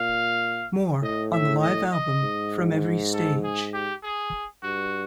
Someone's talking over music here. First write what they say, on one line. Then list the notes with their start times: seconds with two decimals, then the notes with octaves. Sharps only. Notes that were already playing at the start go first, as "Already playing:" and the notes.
Moore, on the live album "From Every Stage".
Already playing: A#2 F5
1.02 A2 D#5
1.32 E5
1.62 D#5
1.93 D#5
2.22 G#2
3.13 A4
3.44 G#4
3.73 G4
4.03 G#4
4.63 G2 F#4